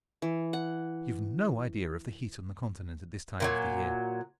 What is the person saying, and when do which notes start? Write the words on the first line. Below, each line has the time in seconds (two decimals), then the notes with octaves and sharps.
You've no idea of the heat on the Continent at this time of the year.
0.22 E3
0.53 F#5
3.40 A#2 E3 F#3